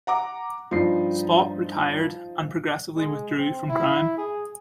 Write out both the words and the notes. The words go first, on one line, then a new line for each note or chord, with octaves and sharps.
Spot "retired" and progressively withdrew from crime.
F#5 A#5 D6
G2 F3 D#4 C7
G#3
C4
E4
G#4